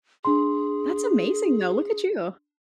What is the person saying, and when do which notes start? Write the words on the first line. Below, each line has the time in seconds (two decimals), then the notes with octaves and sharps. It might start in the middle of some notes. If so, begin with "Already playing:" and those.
That's amazing, though. Look at you.
0.25 D4 G#4 C6